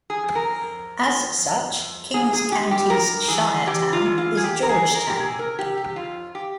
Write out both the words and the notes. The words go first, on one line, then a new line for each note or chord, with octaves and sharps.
As such, Kings County's shire town is Georgetown.
G#4
F2
A#4
F2
F3
F2
F2
G2 G#4
G#4
G2 G4
G4
G2 A#4
E3 G#4
E3 G4
F4
E3
F4
G#4
E2 G4
A#4
G#4
E2
A#4
G4
C3 G#4
A#4
C3 G4
G4
F2 F4
G4